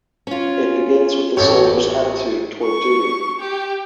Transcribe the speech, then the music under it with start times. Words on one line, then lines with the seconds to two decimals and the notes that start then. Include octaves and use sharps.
It begins with the soldier's attitude toward duty.
0.27 C#4 F4
1.37 A1 G4 A4 C#5
2.63 C#6
3.39 G4